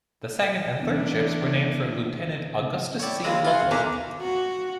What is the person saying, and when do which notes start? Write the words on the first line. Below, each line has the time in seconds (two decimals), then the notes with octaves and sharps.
The second and third ships were named for Lieutenant Augustus C. Ludlow.
0.79 E2 D4
3.00 E4 C#5 D5 G5
3.24 D#2 G#3 C4 F5 B5
3.45 F4 F#4 G#5 C6
3.71 B1 A#4 D6
4.21 F#4